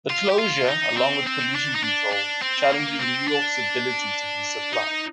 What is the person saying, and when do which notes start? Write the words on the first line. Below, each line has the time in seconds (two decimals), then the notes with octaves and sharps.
The closure, along with pollution control, challenges New York's ability to be supplied.
0.10 F4
0.30 G4
0.39 F4
0.68 D#4
0.97 C4
1.26 C4
1.55 D4
1.75 D#4
1.84 D4
2.13 D4
2.42 C4
2.71 A#3
2.99 C4
3.28 D4
4.73 D#4